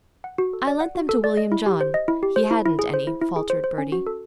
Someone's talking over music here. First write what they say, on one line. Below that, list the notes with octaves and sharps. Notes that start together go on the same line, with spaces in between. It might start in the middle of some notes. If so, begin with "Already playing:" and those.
"I lent them to William John--he hadn't any," faltered Bertie.
F#5
F#4
A4
D5
F#5
F#4
A4
D5
D#5
E4
G4
C5
D#5
E4
G4
C5
E4
E4
G#4
C5
E4
E4
G#4
C5
C5
C#4
F#4
A4